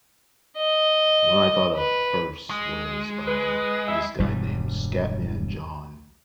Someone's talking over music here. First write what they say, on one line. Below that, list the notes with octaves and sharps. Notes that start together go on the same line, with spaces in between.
one I thought of first was, uh, this guy named Scatman John,
D#5
B4
G#3
G#4 B4
E4 E5
E1 G2 B2 G3